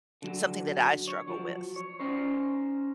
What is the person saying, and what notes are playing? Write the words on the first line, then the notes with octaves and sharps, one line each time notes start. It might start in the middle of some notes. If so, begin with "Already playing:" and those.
something that I struggle with.
D3 F#3
C#5
F3 F#3
C#5
C#4 D#4 C5